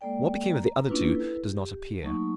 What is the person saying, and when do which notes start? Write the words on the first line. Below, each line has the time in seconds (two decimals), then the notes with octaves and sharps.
What became of the other two does not appear.
0.01 G#3 A#3 A4 D5 G5
0.54 A#5
0.88 A#3 C#4 D4 E4 F4 B4
1.12 E4 A4 B4
1.51 G4
2.02 F#3 A3 A#3 D#4 C#6